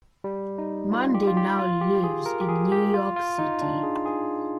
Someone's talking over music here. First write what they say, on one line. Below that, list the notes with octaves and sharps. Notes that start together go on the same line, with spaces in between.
Monday now lives in New York City.
G3
D#4
F4
G4
F4
G4
F4
G4
G#4
A#4
G4
G#4
G4
F4
F4
D#4
D4
G#4
G#4